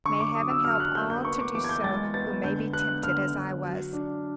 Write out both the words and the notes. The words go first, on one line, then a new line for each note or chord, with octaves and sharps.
"May heaven help all to do so who may be tempted as I was."
D3 C#6
D6
F#3 D#6
E6
F#3 F6
F6
F#6
A#3 G6
G6
B3 C#6
D6
E3 D6
G#6
G6
G#3 A6
B3 A6
D3 G6
B3 F#6
D3 F6
D3
F#3
D4